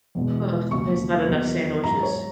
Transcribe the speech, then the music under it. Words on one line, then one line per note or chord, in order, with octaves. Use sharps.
uh, there's not enough sandwiches
E2 B2 G#3
D#2 C#3 F#3 C#6
E2 D#3 F#3
G#2 F#3 A#5
C#5